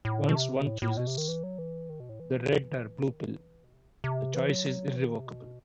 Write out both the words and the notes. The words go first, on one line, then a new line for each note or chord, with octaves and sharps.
Once one chooses the red or blue pill, the choice is irrevocable.
A2
B2
C3
A2
A2
B2
C3
D#3
E3
F#3
E3
D#3
B2
A2
E3
D#3
E3
B2
C3
C3
E3
F#3
E3
D#3
C3
B2